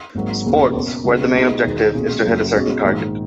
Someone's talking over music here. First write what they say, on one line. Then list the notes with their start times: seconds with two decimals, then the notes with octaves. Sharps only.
Sports where the main objective is to hit a certain target.
0.15 G#1 G#2 F#3 A#3
0.45 E1 D#2 C#3
0.74 B2 A#3 C#4
1.04 C#2 C#3 G#3 B3 F#4
1.34 B2 G#3 D#4 F#4
1.64 E1 E2 D#3 G#3
1.94 B1 A#2 G#3 C#4
2.24 F#1 F#2 C#3 F#3
2.54 B1 B2 G#3 C#4 F#4
2.84 A#1 G#2 D#3